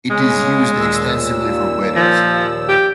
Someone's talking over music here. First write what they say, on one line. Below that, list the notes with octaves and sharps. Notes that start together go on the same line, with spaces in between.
It is used extensively for weddings.
C#3 G#3 C#4
D#2 A#2 E6
F3
G4